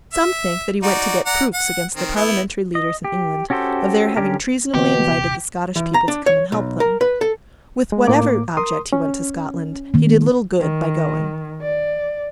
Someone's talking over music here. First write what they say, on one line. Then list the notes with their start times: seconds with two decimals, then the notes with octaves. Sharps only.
Some think that he went to get proofs against the Parliamentary leaders in England of their having treasonably invited the Scottish people to come and help them. With whatever object he went to Scotland, he did little good by going.
0.14 E5
0.83 D#4 F#4 D5
1.26 D5 F#5 A#5
1.54 F#5
1.96 D#3 C4
2.16 B3 E4
2.75 D#5
3.05 G4
3.50 C#4 F#4 G4 A4 C5
4.17 D3 G3 C#4 G4 A#4
4.74 B2 D3 E3 A#3 G4
5.12 D#1 C3
5.76 E3
5.94 A#5
6.08 D4
6.26 C#5
6.52 B1
6.80 A#4
7.01 B4
7.21 A4
7.92 G#3
8.07 A2 A#3 D6
8.57 A#4 C6 D#6
8.93 C#4
9.94 D#3 A#3
10.60 D#3
11.61 D5